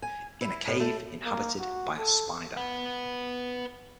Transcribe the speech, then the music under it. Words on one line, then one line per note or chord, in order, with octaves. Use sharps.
In a cave inhabited by a spider.
G#5
E4
A2
A3
A#3
F#4
A4
B4 F#5